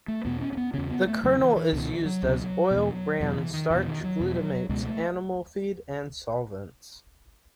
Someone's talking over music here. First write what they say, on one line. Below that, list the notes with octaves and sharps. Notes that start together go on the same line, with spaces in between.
The kernel is used as oil, bran, starch, glutamates, animal feed, and solvents.
A3
E2 B2 B3
C#4
C#4
B3
E2 C#3 C#4
B3
A3
E2 C#3 F#3
E3
E3
C#2 B2 D#3
E3
F#3
C#2 B2
E2 B2
E2 B2 F#3
E3
D#3
E2 B2 E3
D#3
F#3
E2 B2
C#2 B2 G#3
A3